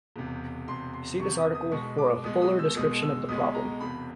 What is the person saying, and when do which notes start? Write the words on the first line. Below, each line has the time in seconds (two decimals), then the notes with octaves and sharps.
See this article for a fuller description of the problem.
0.16 E1 E2 C3
0.67 E1 E2 C3 C6
0.94 C6
1.19 E1 E2 C3 C#6
1.37 D#6
1.55 D#6
1.72 B1 B2 G#3 C#6
1.98 D6
2.24 B1 B2 G#3 D#6
2.42 D#6
2.59 E6
2.76 B1 B2 G#3 D#6
3.02 E6
3.29 B1 B2 G#3 D#6
3.54 A#5
3.80 E1 E2 C3 B5